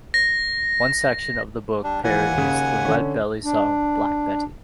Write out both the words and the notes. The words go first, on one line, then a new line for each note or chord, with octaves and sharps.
One section of the book parodies the Lead Belly song "Black Betty".
A#6
G3 D4
D#2 E3 F#5 G#5
C#3
D3 C#4
D4